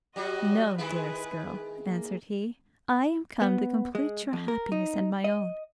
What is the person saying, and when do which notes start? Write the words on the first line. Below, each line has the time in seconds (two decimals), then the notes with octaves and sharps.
'No, dearest girl,' answered he; 'I am come to complete your happiness and my own.
0.16 F#3 G3 F#4 D#5
0.78 D#3 G#3 E4 G#4 B4
1.87 A#3
3.42 B3
3.95 G#3
4.33 F2
4.48 A#4
4.72 D#4
5.24 D#5